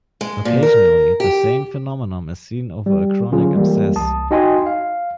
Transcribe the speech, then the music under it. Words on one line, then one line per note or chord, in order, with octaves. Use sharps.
Occasionally, the same phenomenon is seen over a chronic abscess.
G#3
A#2
A#4
G4
G3
D3 F#3 C#4 F4 G#4
E3 G3 G#3 A#3
C2 A5 D#6
D#4 F#4 D#5 G5 G#5 C6
F5